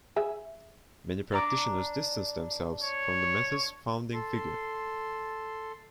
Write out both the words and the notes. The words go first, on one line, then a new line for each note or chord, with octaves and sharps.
Many practitioners distance themselves from the method's founding figure.
G#4 E5
D4 A#5 D6
C#5
A4 C6